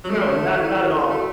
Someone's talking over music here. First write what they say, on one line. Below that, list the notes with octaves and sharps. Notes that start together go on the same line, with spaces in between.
No. Not not at all.
F#3
A3 D6
A5
E5
E4
E4
A4
A3 F#4